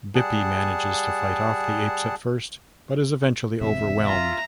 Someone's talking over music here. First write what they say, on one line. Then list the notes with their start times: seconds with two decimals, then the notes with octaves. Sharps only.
Bippy manages to fight off the apes at first, but is eventually overwhelmed.
0.15 G3 G#4 F#5 A5
3.61 E1 C3 E5
4.08 F4 A#5